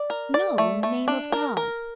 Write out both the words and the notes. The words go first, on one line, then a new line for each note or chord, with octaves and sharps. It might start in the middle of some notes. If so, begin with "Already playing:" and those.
No, in the name of God!
Already playing: D5
A#4
D5
A3
A3
D4
A#4
A#4